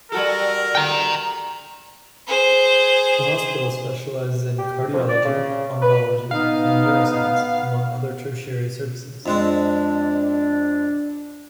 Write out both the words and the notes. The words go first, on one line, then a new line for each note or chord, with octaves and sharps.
The hospital specialises in cardiology, oncology, and neuroscience, among other tertiary services.
G3 F#4 A4 A#4
G5 A#5
G#4 C5
G4
F2
D5
C#3
B4
B3 D#4 F5
F2 G#3 C4 D4